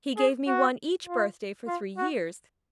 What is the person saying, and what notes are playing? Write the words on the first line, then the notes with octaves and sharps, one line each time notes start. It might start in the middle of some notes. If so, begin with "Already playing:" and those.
He gave me one each birthday for three years.
G#4
F#4
F4
F4
F#4